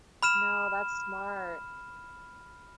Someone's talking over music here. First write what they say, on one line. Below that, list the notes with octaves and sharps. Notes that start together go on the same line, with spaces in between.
No, that's smart.
B5 F6 E7